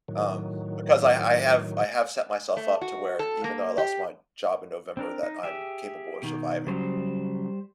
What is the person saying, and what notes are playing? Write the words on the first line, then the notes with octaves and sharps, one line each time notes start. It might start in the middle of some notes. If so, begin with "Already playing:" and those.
um, because I I have I have set myself up to where even though I lost my job in November that I'm capable of surviving.
A2 D#3 F#3
A3
F#4
A4
A#3
G4
C4 D4 A#4
D#4
G4 G#4 E5
B2 D#3
C#3 F#3 G3 C5